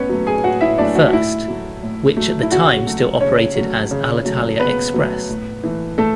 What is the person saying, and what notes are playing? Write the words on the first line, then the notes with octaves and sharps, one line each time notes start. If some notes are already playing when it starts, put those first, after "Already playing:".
First, which at that time still operated as Alitalia Express.
Already playing: A2 B3 C#4 B4 C#5
F#3 A3
G#4 G#5
A2 F#4 F#5
E4 E5
F#3 A3 D4 D5
F#4
F#4
A2 E4
F#3 A3
A2
F#3 A3
E4
C#3 F#4
F#3 A3
C#3 C#4 C#5
F#3
A3
C#3
F#3 A3
C#3 B3 B4
F#3 A3
A2
E3 A3
A2 A3 A4